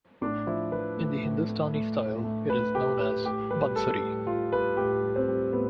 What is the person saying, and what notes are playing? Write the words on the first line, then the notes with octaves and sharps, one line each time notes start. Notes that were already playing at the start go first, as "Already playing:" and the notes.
In the Hindustani style, it is known as Bansuri.
A2 D4
F3 E4
F3 B4
A3
A2
A3
A3
A2
A3
A2 B4
A3 G4
A2 B4
A2 G4
G3 B4
G3 A4
A2
G3 F4
G3 B4
A2 G4
G3
C4
G3
A2 B3